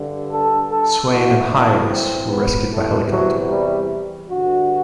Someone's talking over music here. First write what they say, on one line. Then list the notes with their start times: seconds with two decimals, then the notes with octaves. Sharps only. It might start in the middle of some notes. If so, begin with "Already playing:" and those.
Swain and Hires were rescued by helicopter.
Already playing: G2 D3
0.30 A4
0.71 A4
1.10 A2 E3 F#4
1.51 D4
1.91 C4
2.30 B3
2.70 E2 C3 E3 A3
3.10 F#3
3.50 G3
4.29 G2 D3 F#4